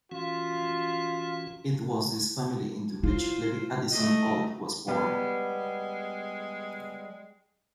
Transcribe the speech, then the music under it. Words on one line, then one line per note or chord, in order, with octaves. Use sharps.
It was this family into which Levi Addison Ault was born.
E3 C#4 F4 F#4
E4 F4 C5
A3 D#5
G3 G#3 B3 G4